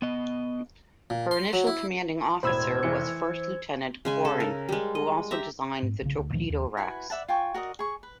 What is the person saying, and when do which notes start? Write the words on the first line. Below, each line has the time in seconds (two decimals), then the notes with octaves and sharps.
Her initial commanding officer was First Lieutenant Koren, who also designed the torpedo racks.
0.02 B3 D#5
1.10 A#2
1.31 C6
1.53 F#3
1.67 E4
2.43 E1 A2 C5 B5 E6 G#6
2.83 F1 E3 C#7
3.05 E3
4.05 C#3 G#3 G#5
4.25 A4
4.40 A#4
4.69 G3 G#3
4.95 D#5
5.31 G4 E5 A#5
5.83 G#2
6.02 B1 C#3
6.18 D2
6.32 D2 A#2 D#3 F3
6.50 D#2
6.77 E4 F#4 B4 G#5
7.10 D5 E5 F#5 A5
7.28 F4 G5 G#5 C#6
7.54 F#4 A#4 D5 D#5
7.79 G#4 C#6
8.03 B4